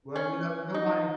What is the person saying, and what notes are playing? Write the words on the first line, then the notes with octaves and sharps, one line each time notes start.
Well, you know, nobody
C#4
D#4